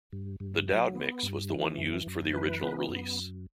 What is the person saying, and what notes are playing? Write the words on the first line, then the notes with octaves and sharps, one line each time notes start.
The Dowd mix was the one used for the original release.
G2
G2
F#3
B3
G2
E3
F#2
F#2
E3 B4
B3
F#2